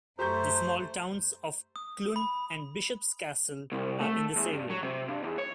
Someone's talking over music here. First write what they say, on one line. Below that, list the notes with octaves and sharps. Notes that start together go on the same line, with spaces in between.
The small towns of Clun and Bishop's Castle are in this area.
F#2 A3 G4 C5 A#5 C#6 G6
D#6
B5
C2
A3
E2
G2
F#3
C3
G2
E2
C#5